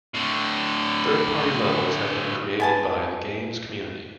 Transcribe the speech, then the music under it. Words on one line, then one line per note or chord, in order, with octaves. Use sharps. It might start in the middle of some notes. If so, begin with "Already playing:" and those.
Third party levels have been created by the game's community.
A2 D3
B3 G#5 A5